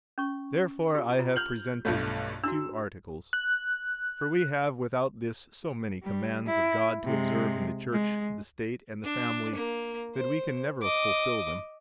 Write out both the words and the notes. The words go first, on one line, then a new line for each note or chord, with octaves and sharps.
Therefore I have presented few articles; for we have without this so many commands of God to observe in the Church, the state and the family that we can never fulfil them.
C#4 C#6
F4 G4
F4 A#5
F6 G6 F#7
B1 G2 A3 F4 C#5 F5
D4 E4 F#4 E6
F#6
G3
E4
C3 G#3
G#3
D4
A#3
C5
D#5 D6